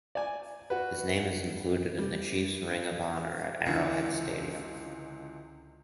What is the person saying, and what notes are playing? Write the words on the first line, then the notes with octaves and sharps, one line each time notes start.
His name is included in the Chiefs' ring of honor at Arrowhead Stadium.
D5 G#5
F#4 B4
G3
C#2 D3 E3 F3